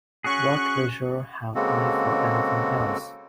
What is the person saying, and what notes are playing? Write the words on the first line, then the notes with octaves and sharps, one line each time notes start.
What leisure have I for anything else?
C#4 F#4 G#4 C#6 F#6
C#3 G#3 A#3 C4 F#4 A4